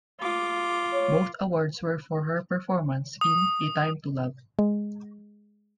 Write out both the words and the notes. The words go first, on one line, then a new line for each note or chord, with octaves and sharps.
Both awards were for her performance in "A Time to Love".
F4 D6
C#5
D#6
G#3